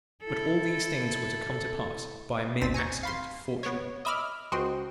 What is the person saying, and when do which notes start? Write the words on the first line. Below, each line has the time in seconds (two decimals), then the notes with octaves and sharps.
But all these things were to come to pass by a mere accident of fortune.
0.24 E4 A4
2.61 G#1 D#2 C4 A6 B6
2.74 G#5 A#5 C#6 G6
3.03 F5 B5 C6
3.63 B3 C#5
4.05 D#5 E5 B5 D6 F6
4.52 C#2 F#4 C5 D#5 G5 C6